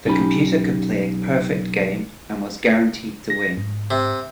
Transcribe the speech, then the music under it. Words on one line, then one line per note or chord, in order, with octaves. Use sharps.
The computer could play a perfect game and was guaranteed to win.
B1 C#4 D#4 G4 B5
A#6
G#2
C3